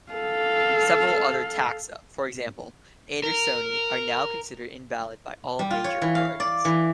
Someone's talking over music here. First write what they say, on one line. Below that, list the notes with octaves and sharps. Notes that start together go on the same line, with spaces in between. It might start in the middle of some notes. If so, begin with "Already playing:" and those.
Several other taxa, for example "andersoni", are now considered invalid by all major authorities.
A4 F5
A#4
G3
F4
C#5
E3
F5
D5
E3